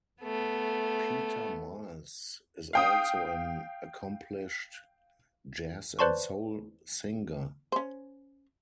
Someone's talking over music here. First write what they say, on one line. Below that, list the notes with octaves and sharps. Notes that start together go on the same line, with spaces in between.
Peter Miles is also an accomplished jazz and soul singer.
A3 B3
F5 G5 D#6
B4 C5 D5 A5 C6 C#6
C#4 C5